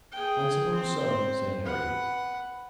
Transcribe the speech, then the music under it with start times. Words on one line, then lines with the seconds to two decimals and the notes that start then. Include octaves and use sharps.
"I suppose so," said Harry.
0.12 G#4 G5
0.74 C4 C5
1.64 B4 F#5